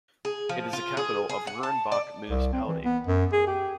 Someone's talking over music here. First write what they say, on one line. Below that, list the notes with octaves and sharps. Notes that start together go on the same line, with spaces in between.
It is the capital of Rurrenabaque Municipality.
G#4
F3
F4
G#4
G#4
F#5
A5
D5
C2
C4
E3
B3
F#2
G#4
G4